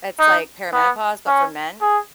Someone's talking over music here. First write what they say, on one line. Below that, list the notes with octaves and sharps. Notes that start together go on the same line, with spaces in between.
it's like perimenopause, but for men.
D#4
B3
C#4
G#4